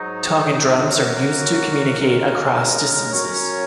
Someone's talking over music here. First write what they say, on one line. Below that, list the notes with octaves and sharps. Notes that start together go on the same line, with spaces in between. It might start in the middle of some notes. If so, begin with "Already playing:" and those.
Talking drums are used to communicate across distances.
Already playing: G#2 F#3 D#4
F#2 F#3 A#3 F#4 A#4
D#2 C#3 G#3 D#4 A#4
F#3 C#4 A#4 C#5